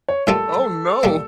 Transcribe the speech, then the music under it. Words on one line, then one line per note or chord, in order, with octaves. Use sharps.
Oh, no!
C#5
A2 G3 A#3 D4 F4 A4
A#2 G3 A#3 D4